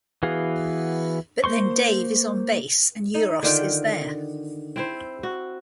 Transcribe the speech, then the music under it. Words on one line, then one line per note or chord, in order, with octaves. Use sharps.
But then Dave is on bass and Euros is there.
E3 B3 F#4 G#4 F5
A#3 C5 C6 C#6
D#4
D3 D#3 F4 G5
C4 E4 C5
F#4